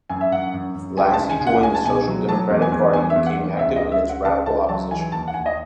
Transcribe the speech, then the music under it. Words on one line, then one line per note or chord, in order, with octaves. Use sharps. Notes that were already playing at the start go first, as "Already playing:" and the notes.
Lassy joined the Social Democratic Party and became active in its radical opposition.
F#2 G#5
E5
F#2 F#5
F#2
F#2
C#2 G#5
A5
C#2
G#5
C#2
F#5
C#2 G#5
A5
B2 G#5
F#3
F#3 A5
E2
G#5
E2
E2 G#5
E5
E2
F#5
E2
C#2 E5
D#5
C#2
E5
C#2
F#5
C#3 A5
C#2 A5
F#3 A5
E3 G#5
D#2 A5
F#5
D#2 G#5
D#5